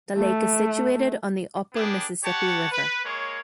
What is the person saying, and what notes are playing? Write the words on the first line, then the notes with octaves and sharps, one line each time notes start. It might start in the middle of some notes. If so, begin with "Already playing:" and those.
The lake is situated on the upper Mississippi River.
A3
B3 D4 G4 G#4
G4 C#5 F#5 A5
B4
G#3 A#3 C#5